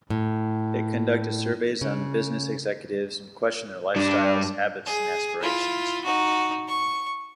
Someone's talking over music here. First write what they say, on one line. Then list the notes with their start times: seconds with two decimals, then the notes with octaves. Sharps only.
It conducted surveys on business executives and questioned their lifestyles, habits and aspirations.
0.10 A2
1.81 C#3
3.96 G2 D4
4.86 G#4
5.41 E4 F4
6.04 D#4 F#4
6.67 C#6